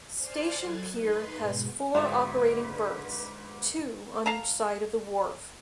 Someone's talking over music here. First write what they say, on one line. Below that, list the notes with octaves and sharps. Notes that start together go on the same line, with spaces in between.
Station Pier has four operating berths, two on each side of the wharf.
C5 D5 G#5 A5 F6 C7
F#3 A4 F#6 G#6 A6
D#4 B4 C6
G#2 B2
G#2 D3 F3 F#3 A3 B4
F5 A5 A#5